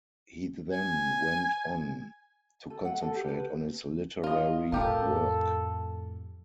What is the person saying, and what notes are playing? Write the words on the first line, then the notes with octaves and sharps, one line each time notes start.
He then went on to concentrate on his literary work.
G#5
A4
F#5
A4
G4
B4
F4 D#5
F2 A2 F4 G4 A4 A#4